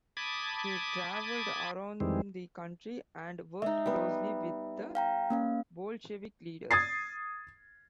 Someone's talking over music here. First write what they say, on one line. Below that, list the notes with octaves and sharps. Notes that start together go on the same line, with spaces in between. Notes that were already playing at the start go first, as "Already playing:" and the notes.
He traveled around the country and worked closely with the Bolshevik leaders.
A5 B5 D6 D#6 G#6
F2 D#3 E3 G3 G#3 C4
G#3 D#4 E5
G3 B3
F5 G5 A#5
A#3 C#4 F5
D#6 G#6 A6 C7